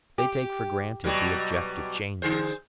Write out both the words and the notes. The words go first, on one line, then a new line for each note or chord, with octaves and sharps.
They take for granted the objective changes.
G4
B2 F#3 G3
D3 G#4 C5